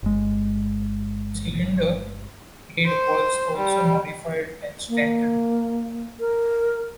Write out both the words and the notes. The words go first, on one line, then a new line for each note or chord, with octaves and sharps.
The cylinder head was also modified and strengthened.
G1 G#3
C5
G3
A#3
A#4